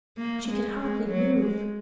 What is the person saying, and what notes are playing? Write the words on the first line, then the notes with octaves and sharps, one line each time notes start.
She could hardly move.
A#3
G#3
G#3
F#3
G#3